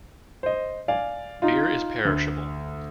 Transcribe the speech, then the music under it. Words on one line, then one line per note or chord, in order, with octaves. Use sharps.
Beer is perishable.
C5 D#5
D5 F5 G#5
D#4 F4
D2